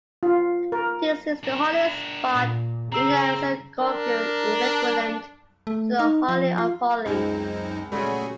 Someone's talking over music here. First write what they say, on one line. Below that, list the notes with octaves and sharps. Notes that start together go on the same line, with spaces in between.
This is the holiest spot in a synagogue, equivalent to the Holy of Holies.
F4
A#4
D4 A#4
A#2
C#3 C4 A#5 E6 C7
D4 A#4
A3
D#4
F3
F4
C#2 F#2 C4 D#4
A#2 C#3 F#3 G3 A3 F#4 G#4